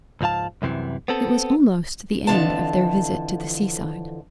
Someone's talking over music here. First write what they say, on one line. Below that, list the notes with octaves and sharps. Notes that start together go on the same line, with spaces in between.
It was almost the end of their visit to the seaside.
C#2 G#2 F3 F5 A5
C2 F#2 C3 E3
B3 C4 A4
F2 D3 E3 F4 A5